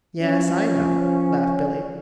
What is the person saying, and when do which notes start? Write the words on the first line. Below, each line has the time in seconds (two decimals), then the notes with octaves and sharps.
"Yes, I know," laughed Billy.
0.23 F3 C#4